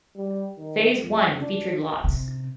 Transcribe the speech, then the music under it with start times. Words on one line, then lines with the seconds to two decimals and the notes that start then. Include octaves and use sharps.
Phase one featured lots.
0.15 G3
0.58 D#3
1.00 F2
1.39 D4
2.04 C3